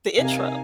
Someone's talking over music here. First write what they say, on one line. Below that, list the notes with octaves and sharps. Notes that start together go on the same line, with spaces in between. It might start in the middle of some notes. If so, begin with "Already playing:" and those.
the intro.
C3 D#4 A#4 F5 G#5